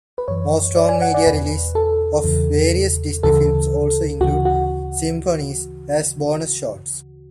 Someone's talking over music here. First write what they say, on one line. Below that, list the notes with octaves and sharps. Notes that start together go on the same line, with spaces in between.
Most home media releases of various Disney films also include "Symphonies" as bonus shorts.
B4
F#2 E3 C#5
D5
G#5
F#5
D5
E2 B2 B4
A4
E2 C#3 E3
D2 C#3 E3 A4
D2 C#3 E3 F#4
F#4